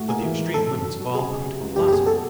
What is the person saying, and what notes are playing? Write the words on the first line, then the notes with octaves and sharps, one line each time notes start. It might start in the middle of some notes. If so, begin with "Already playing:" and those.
Of the Extreme Limits of all Practical Philosophy.
Already playing: A2 F#4
A#3 G#4
E3
G#3
E1 A4
F#3
F#3
F#3
C#3 G#4
F#3
C3
C#2
F#1 G4
G4
B2 G#4
A4